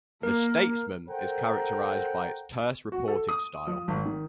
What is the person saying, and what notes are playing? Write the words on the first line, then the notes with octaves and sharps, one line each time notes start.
"The Statesman" is characterized by its terse reporting style.
A#3 A#4
A4 A#4 C5 F#5 G5 A#5
F#4
A4
D#6
F3
G#1
D#3